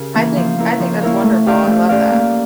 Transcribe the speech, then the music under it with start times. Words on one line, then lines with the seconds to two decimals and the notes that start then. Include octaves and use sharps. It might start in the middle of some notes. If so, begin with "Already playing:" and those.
I think I think that's wonderful, I love that.
Already playing: C#3 G4 A#4
0.14 E3 A#3 C#4 E4
0.36 F3
0.58 A#3 E4 A#4 C#5
0.79 F3
1.02 A#3 E4 A#4 C#5
1.24 A3
1.45 C#4 G4 D5 F5
1.67 A3
1.89 C#4 G4 D5 F5
2.11 A#3